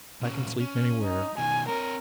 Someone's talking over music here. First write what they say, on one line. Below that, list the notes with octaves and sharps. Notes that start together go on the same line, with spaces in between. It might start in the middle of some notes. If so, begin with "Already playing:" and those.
'I can sleep anywhere.
A#2 C#4
C#4
D#4
B2 D#3 G#5
C4 A#4 C#5